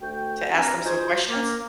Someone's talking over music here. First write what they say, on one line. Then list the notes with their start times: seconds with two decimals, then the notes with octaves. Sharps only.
to ask them some questions?
0.01 D2 A3 F#4 G5
0.53 G2 C4 D4 A#4 A#5
0.84 D#4 F4 F#4 G#4 C5
1.29 A#3